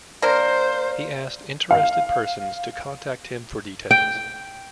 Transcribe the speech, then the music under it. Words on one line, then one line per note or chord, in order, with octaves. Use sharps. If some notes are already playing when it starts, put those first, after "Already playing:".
He asked interested persons to contact him for details.
A#3 D4 A#4 C5 D5
F5
G5